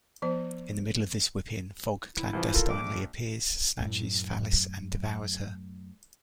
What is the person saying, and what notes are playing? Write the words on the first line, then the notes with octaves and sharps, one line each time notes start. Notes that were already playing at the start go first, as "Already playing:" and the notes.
In the middle of this whipping, Thog clandestinely appears, snatches Thalis, and devours her.
F3 B3 C5
E4
C2 E3 F3
F4 A4 A#4
A#1 D6
F#2 A2